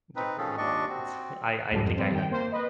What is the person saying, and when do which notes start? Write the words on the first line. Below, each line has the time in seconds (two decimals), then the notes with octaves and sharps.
Yeah, I mean, it's I I think I had
0.16 C4 D#4 B4
0.38 D#3 F3 C#4 G#4 A4
0.58 D#2 A#2 D4 D5 D#5 C#6
0.88 C4 F#4
1.71 C#2 G#2 F3 G3 A4
1.83 F2
1.97 G3 C4
2.11 D#3 G5
2.31 A#3 C5
2.52 B4 D#5